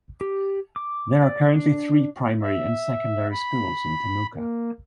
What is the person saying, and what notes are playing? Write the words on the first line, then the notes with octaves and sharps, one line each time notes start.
There are currently three primary and secondary schools in Temuka.
G4
D6
D5
D4
E5
B5
A#3